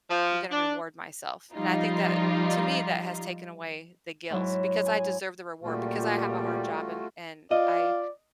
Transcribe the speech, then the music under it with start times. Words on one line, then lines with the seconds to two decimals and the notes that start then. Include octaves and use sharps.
"I'm gonna reward myself," and I think that to me that has taken away the guilt, because I deserve the reward, because I have a hard job, and and I
0.10 F3
0.51 D4
1.54 F3 G3 D#4 F4
4.30 G#2 F#3 E4
4.86 G#5
5.64 C#2 A#2 G3 A3 F4 F#4
7.51 F4 D5 D#5